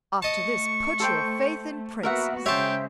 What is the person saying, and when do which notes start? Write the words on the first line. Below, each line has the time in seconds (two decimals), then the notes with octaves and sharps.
After this, put your faith in princes!'
0.22 A3 D#5 A5 C#6
1.00 A4 C5 G5
2.03 A#3 B3 F#4 A#4 E5 F#5
2.46 C#3 G#3 C5 C#5 E5 G5 A5